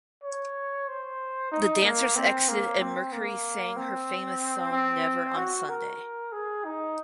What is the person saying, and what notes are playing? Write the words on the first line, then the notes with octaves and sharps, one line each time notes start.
The dancers exited and Mercouri sang her famous song "Never on Sunday".
C#5
C5
D#4
A#3
C4
A#3
C4
A#3
C4
C4
F#4
A#4
G#4
D#4